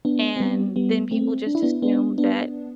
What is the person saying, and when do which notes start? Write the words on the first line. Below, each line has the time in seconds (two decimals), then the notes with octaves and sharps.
and then people, just, assume that
0.05 B3 D4
0.36 C4
0.40 G3 B3
0.76 G3 B3
1.11 A3 C4
1.47 D4
1.55 E4
1.62 B3 D4
1.82 B3 D4
2.18 B3 D4